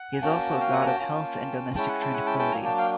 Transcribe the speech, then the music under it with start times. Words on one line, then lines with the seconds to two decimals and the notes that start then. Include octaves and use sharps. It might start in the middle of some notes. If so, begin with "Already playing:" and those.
He is also a god of health and domestic tranquility.
Already playing: F#5
0.13 G#5
0.22 A#3 C#4 F#4 G5 A5
0.60 F5 G5
0.73 F#5 G#5
0.81 A#5
0.86 G5 A5
0.99 A#3 C#4 F4
1.75 G#3 C#4 E4 G5 A5
1.88 F#5 G#5
2.01 G5 A5
2.14 F#5 G#5
2.26 G5 A5
2.39 G5 A5
2.52 F#3 A#3 D4 G#5 A#5
2.65 G5 A5
2.77 F5 G5